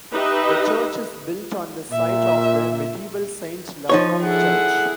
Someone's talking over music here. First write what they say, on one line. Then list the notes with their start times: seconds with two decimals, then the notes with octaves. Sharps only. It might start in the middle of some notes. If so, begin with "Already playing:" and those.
The church is built on the site of the medieval Saint Lavrans Church.
0.12 D#4 G4 B4 D#5 E5
1.91 A#2 E5
3.89 F3 D#4 C#5
4.22 E4 G#4 A4 F#5